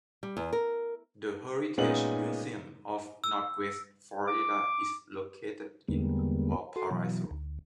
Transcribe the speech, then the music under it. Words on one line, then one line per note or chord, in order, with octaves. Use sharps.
The Heritage Museum of Northwest Florida is located in Valparaiso.
G3
E2
A#4
A#2 G#3 B3 C#4 D#4 F#7
E6
D6
E2 D3 G3 G#3 A#3 B3
F#4 A4 C6
B2 E3 F#3
D2